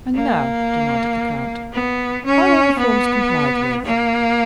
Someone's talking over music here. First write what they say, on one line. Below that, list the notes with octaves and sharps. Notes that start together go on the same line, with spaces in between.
"And now," demanded the count, "are all the forms complied with?"
A#3
B3
C#4
B3
A#3